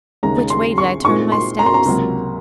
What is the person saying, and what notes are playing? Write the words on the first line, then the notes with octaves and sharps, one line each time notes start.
Which way did I turn my steps?
D#2 C#3 G#3 D#4 A#5
C6
C#6
A#2 G#3 C4 D#4 C#6
C6
A#5
C6
A#5
C#2 C3 F#3 A#3